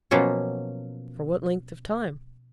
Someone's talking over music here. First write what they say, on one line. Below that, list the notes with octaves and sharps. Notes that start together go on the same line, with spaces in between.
"For what length of time?"
B2 F3 F#3 A#3 C#4